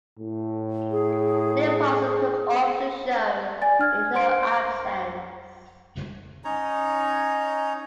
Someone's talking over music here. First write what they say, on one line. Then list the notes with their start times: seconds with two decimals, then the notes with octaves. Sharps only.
Lynn Parsons took over the show in her absence.
0.18 A2
0.91 G#4
3.62 D5 G#5 A6
3.79 D4 F6 G#6
4.15 C5 C6 D7
6.44 C#4 D#4 C#5 A#5